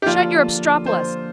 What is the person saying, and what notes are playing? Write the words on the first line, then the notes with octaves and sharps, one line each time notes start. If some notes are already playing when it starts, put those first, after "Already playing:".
Shut your obstropolos.
G4
D3 F3 A#3 D4 F4
C5